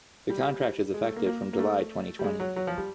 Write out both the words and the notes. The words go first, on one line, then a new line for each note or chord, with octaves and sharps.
The contract is effective from July twenty twenty.
G3
G#3
A3
A#3
A#3
A#3
A3
G3
G#3
F#3
F#3
F3
G3